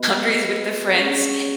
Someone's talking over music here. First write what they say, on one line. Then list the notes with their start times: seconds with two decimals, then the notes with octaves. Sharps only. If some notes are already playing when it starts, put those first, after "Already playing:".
boundaries with the friends.
Already playing: B3 F#4 B4 D#5
0.92 C#4 G#4 C#5 F#5